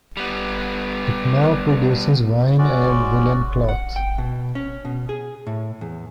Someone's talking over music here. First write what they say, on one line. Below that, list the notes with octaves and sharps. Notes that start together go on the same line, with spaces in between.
It now produces wine and woollen cloth.
G3 B3
G#3 C#4 F#4 D5
F#5
G5
B2
C#4
B2
G#4
A2
E2